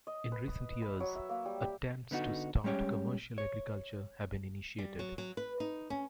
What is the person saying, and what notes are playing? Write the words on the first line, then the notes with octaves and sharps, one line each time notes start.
In recent years, attempts to start commercial agriculture have been initiated.
D#5
B4
D#6
B5
F#3
E5
A#3
G3
G4
D3 B3 D#4 F#4
G3 G#3 C#4 G4 C#5
C#5
G3
F#3
F#3
B4
D#4
C#4